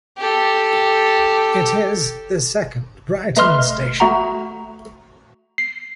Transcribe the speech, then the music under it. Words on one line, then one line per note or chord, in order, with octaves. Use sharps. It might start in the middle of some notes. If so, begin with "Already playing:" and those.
It is the second Brighton station.
G4 A4
A3 B4 D#5 C6 F6
A3 F#4 F#5 A#5
C7